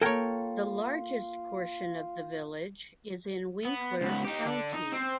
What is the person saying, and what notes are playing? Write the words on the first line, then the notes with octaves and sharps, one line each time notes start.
The largest portion of the village is in Winkler County.
A#3 F4 A4 A#4 C#5 G5 G#6
B3
C#2 B3
D#4 G4
D3 D4
D#4
C4